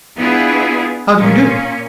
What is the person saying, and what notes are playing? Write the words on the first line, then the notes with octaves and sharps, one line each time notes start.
"How do you do?"
B3 D4 E4 F4 G#4 B4
A#2 C#4